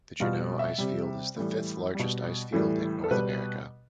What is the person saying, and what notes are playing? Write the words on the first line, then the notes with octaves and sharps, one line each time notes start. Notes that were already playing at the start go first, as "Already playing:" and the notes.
The Juneau Icefield is the fifth largest icefield in North America.
B2 G3 F4
E5
C3 G3
A2 E3 G3
B2 G3
A2 E3 G3
A4
B2 G3 B4